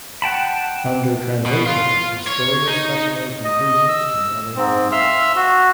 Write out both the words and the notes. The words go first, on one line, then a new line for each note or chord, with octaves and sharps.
Under Transocean "Astoria" specialized in cruises to Norway and Europe.
F#5 G5 A5 B5
B2
F4
C#5
D#4
D#5
E6
G#2 C4
E5 F5 C6 E6 F6
F#4